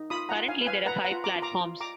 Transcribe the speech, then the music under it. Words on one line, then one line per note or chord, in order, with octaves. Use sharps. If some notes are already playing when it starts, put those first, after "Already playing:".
Currently there are five platforms.
Already playing: D#4
F4 B5 D#6
F#5 A#5
F4
F5 G#5
B4
F5 G#5
B4 F#5 A#5
B5
F#5 A#5
F4
A#5 D6
F4
A#5 D6
F4
A#5 D6